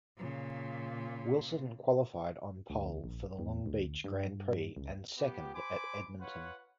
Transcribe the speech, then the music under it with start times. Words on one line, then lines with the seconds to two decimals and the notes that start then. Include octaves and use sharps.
Wilson qualified on pole for the Long Beach Grand Prix and second at Edmonton.
0.18 A#2 C#3
2.70 D2
3.04 A#1
3.39 E2
3.66 D2
4.04 G2
4.76 C#2
5.17 B3 G4
5.53 C5 G#5 B5 D6
6.19 F4 B4 C#5 F#5